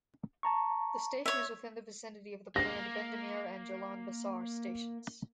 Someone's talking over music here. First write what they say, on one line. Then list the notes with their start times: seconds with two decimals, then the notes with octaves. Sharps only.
This station is within the vicinity of the planned Bendemeer and Jalan Besar stations.
0.43 A5 A#5 C#6
1.26 C#5 E5
2.56 A#3 A#6